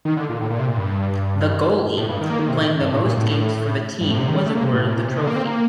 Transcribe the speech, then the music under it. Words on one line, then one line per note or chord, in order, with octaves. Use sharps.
The goalie playing the most games for the team was awarded the Trophy.
D#3
D3
A#2
A2
A#2
C3
A#2
G2
A2
G2
D#3
A#3
D#3
C3
A2
G2
A2
A#2
A2
G2
A2
C3
D#3
G3
A3
A#3
C3
A2
A2
A#2
C3
D3
A#3
C4
A#3